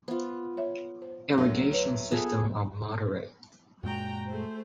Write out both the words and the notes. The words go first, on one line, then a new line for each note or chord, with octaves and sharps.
Irrigation system are moderate.
B3 F4 C5
C#5 E5
C5
D2 D3 F#3 A#4
B4 C#5
B3 F4 G#4 A4
F#2 A#2 G#3 F#4 G5 A#5
A3 G#4 C5